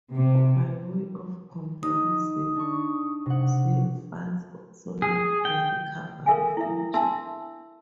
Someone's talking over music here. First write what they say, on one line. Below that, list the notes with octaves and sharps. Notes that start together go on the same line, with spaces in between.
By way of comparison, zip files also lack a recovery feature.
C3
D#4 D#6
D4 C#6
C3 F#5
G#4
G5
A4 A#4 E5 F5 G5 G#5
E4 E5
D4 E5 A5 C6 E6